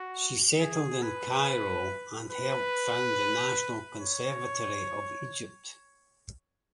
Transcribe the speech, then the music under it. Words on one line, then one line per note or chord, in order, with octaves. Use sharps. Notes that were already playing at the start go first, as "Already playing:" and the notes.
She settled in Cairo and helped found the National Conservatory of Egypt.
Already playing: F#4
G#4
B4
B4
C#5